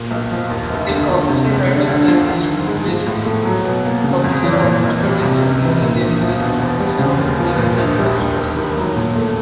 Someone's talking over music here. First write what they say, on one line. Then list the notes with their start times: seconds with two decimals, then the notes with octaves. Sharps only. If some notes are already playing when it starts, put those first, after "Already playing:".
His official title is Distinguished Professor of Historical Theology, Research Professor of Theological Studies.
Already playing: A#2
0.11 B1
0.31 F3
0.50 D#2
0.70 F1
0.90 D3
1.09 F3
1.29 C3
1.49 G#3
1.69 D3
1.88 D2
2.08 F3
2.28 D#3
2.47 G#2
2.67 G#3
2.86 F3
3.06 A2
3.26 A3
3.45 F#3
3.65 B2
3.84 A#3
4.04 C#3
4.24 F2
4.44 E3
4.63 A#2
4.84 B1
5.03 G3
5.22 C3
5.42 C#2
5.62 D#3
5.82 A#2
6.01 A#1
6.21 F3
6.41 B2
6.60 E2
6.80 G3
6.99 C#3
7.20 D#2
7.39 F3
7.58 A#2
7.78 A#1
7.98 G3
8.18 D#2
8.37 E1
8.57 D#3
8.77 F#3
8.96 A#2
9.16 A3